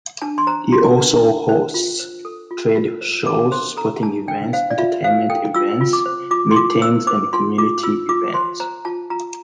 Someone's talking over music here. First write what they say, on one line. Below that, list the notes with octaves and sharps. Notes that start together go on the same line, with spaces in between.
It also hosts trade shows, sporting events, entertainment events, meetings and community events.
D4 A5
C6
C5 A#5
F4 C6
D4
D4
C5
F4
C5
A4
F4
F4
C5
D4 D6
C5 C6
A4 A#5
D4 A5
D4 G5
C5 F5
D5
F4 E5
C5 F5
A4 G5
F4 E6
F4
D6
C5
F4 D6
C6
F4 D6
C5 E6
C5 D6
F4 C6
F4 D6
F4 E6
F4 D6
C5 C6
C5 A#5
F4 A5
F4 A#5